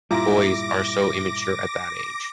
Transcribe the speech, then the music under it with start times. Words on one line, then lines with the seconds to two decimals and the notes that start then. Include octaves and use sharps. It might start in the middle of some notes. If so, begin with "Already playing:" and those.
Boys are so immature at that age.
0.11 G2 A#2 G3 E4 F4 A#5 D6 A#6